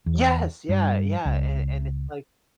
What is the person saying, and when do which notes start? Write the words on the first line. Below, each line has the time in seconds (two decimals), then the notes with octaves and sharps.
Yes! Yeah, yeah and and it's like
0.06 E2
0.69 G2
1.25 C#2